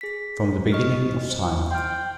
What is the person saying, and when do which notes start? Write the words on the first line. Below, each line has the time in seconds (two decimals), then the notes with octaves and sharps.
From the beginning of time.
0.01 G#4 B6
0.72 D#5 C#6 F6
1.30 C5
1.70 G5 C6 F6